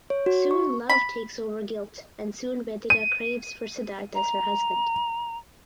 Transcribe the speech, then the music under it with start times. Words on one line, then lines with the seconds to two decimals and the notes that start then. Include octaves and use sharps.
Soon love takes over guilt and soon Vedhika craves for Siddharth as her husband.
0.10 C#5
0.26 F#4
0.51 C#6
0.89 B5
2.90 D#7
4.15 A#5